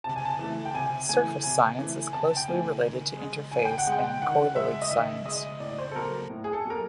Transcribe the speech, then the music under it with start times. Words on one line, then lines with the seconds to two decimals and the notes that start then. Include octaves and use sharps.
Surface science is closely related to interface and colloid science.
0.04 C3 A5
0.16 G#5
0.25 A5
0.39 E3 A3
0.65 G5
0.74 C3 G#5
1.09 E3 A3 G#5
1.43 C3 G#5
1.79 E3 A3
2.13 C3 A5
2.37 G5
2.48 E3 A3 G#5
2.82 D#3
3.17 G#3
3.52 D#3 G#5
3.65 G5
3.78 F#5
3.87 G#3 G5
4.22 D#3 F#5
4.56 G#3 E5
4.82 D#5
4.91 D#3 E5
5.26 G#3 D#5
5.60 A2 D5
5.78 C5
5.92 A4
5.95 F#3 A#3 A#4
6.30 A2
6.44 G#4
6.53 A4
6.65 F#3 A#3
6.70 A#4